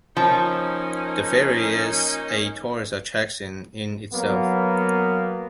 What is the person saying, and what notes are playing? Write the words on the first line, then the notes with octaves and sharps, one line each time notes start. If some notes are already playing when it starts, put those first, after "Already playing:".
The ferry is a tourist attraction in itself.
F3 A#3 C#4 D#4
F#3 A#3 B3